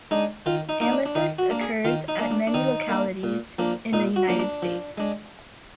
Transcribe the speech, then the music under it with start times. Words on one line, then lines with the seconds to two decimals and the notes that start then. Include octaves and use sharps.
Amethyst occurs at many localities in the United States.
0.11 G#3 D4 D#4
0.46 D#3 F4
0.69 D#4
0.80 A#3 D4 D#4
0.92 D4
1.06 D4
1.15 D#3 D#4
1.38 F#4
1.50 A#3 D4
1.61 G#4
1.85 D#3 F4
2.08 D#4
2.19 A#3 D4
2.31 D4
2.47 D4
2.54 D#3 D#4
2.89 A#3 D4
3.23 A#2
3.59 F3 A#3 D4
3.93 A#2 D#4
4.16 F#4
4.27 F3 A#3 D4
4.39 D4
4.62 F3
4.98 G#3 D4